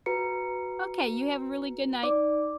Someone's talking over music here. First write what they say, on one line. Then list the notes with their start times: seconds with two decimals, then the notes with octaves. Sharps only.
Okay, you have a really good night.
0.06 F#4 B4 A#5 C#7
2.03 D#4 D5 D6